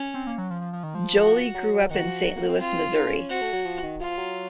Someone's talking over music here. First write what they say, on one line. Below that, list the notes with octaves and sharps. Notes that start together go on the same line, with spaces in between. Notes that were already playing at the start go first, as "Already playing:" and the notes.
Joli grew up in Saint Louis, Missouri.
Already playing: C#4
C4
A#3
F#3
F3
F3
F3
D#3
F3
F#4
F#3
F#3
D#3 F#4
F3
F#3
A#3
C4
F4
D#4
C#4
C#4
C4 F#4
A3
F#3
F3
D#3
F3 F4
F#3